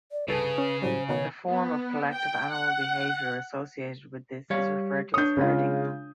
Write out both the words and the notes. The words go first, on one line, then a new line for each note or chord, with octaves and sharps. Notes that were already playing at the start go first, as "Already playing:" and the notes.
The form of collective animal behavior associated with this is referred to as "herding".
D5
C2 G2 C#3 G#4 A4 B4
C#4
A2 F#3 G3 C5
B2 D#3 B3 C#5
B3
G5
F#5
G3 C#5 F5
D4 C#5 D#6 G6
C#3 G#3 F4